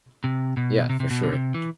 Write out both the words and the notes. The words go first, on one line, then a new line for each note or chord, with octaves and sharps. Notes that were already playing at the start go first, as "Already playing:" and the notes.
Yeah, for sure.
C3
B2
C3
C3
B2
D3
C3
E3